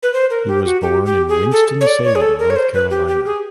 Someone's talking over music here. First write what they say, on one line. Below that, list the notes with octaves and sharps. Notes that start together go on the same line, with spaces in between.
He was born in Winston-Salem, North Carolina.
B4
C5
A#4
G4
F#4
G4
G4
G#4
A4
C#5
D5
C#5
G#4
A4
A#4
C#5
C5
B4
G4
G4
G#4